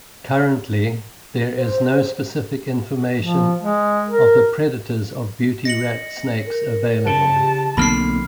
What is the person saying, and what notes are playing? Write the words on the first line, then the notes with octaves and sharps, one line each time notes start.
Currently, there is no specific information of the predators of beauty rat snakes available.
C5
F3
G#3
A#4
D#5 A#6 C#7 F#7
A#4
C#3 A5
G4
B1 D3 A#3 C4 B5 F6 C7